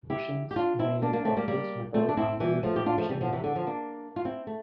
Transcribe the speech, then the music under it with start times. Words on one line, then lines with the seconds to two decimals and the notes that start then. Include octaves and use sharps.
Bushings made of this metal are used in machinery.
0.10 E4 G4
0.51 G4
0.56 D4 F4
0.79 C4 E4
1.02 A#3 D4
1.13 A#3 D4
1.25 A3 C4
1.37 G3 A#3
1.48 G3 A#3
1.94 A3 C4
2.09 D4
2.17 C4 E4
2.40 E3 G3
2.63 F3 A3
2.76 G4
2.86 D4 F4
2.98 F3 A3
3.09 E3 G3
3.21 D3 F3
3.33 C3 E3
3.44 D3
3.55 D3 F3
3.66 A#3 D4
4.16 F4
4.25 C4 E4
4.47 A3